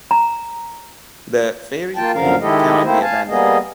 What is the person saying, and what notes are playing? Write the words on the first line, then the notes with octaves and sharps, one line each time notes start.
The "Faerie Queene" cannot be abandoned.
A#5
A#3 F4 G5 A5
F#2 D3 F3 A#4 F5
D#3 G#3 E4 G4 A4 D#5
A3 A#3 C4 E4 C5
F5 G#5 A5
G3 A#3 B3 G#4 D#5